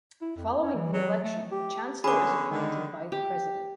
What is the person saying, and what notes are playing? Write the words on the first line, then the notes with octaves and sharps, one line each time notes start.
Following the election, the Chancellor is appointed by the President.
E4
F2
C#4
E3
F#3
A3
G4
D3 B3 C#4 G#4 B5 D6
D3 D#3
G4